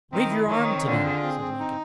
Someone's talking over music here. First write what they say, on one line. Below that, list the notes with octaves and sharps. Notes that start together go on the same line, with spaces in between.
"Wave your arm to them," said Lincoln.
D#3 C4
E4
D#3 C#5
C4
D3 F4
G#4
C4
C4
D#4